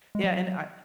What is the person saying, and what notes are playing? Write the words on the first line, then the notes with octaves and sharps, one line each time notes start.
Yeah, and I
G#3
F#3